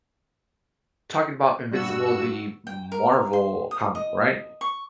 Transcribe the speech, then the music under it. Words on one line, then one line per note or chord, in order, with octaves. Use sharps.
talking about Invincible, the Marvel comic, right?
G2 F#4 E6
G5
A#4
C6
D#6
D#5
C#6